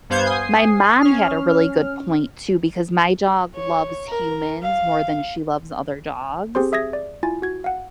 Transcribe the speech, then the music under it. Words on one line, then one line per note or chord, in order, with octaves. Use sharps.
My mom had a really good point too because my dog loves humans more than she loves other dogs,
G2 B3 C5 F5 G6 G#6
G#5 D#6 C7
C#4 F6
C#5
A#4
F5
C4 G4 G#4 C5 C6
G#4 E5 D#6 G#6 A#6
D5
E4 F4 G#5 A6
F#4 G#6
F5 F#5